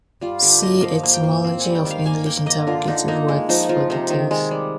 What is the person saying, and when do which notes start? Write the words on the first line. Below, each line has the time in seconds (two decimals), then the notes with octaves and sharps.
See etymology of English interrogative words for details.
0.21 G3 F4
0.42 D3 G4
0.63 A#3 D#5
0.83 F3 F5
1.04 A#3
1.14 G5
1.23 A#3
1.44 C4
1.60 G#5
1.65 G3
1.75 G5
1.85 D#3
1.91 F5
2.06 A#3 G#5
2.26 A#3 G5
2.46 A#3 D#5
2.67 D3 F4
2.88 D3 D#4
3.08 A#3 D#4
3.28 G#3
3.49 F3 D#4
3.69 F3 F4
3.90 C3 D#4
4.10 D#3
4.31 G#3
4.51 G3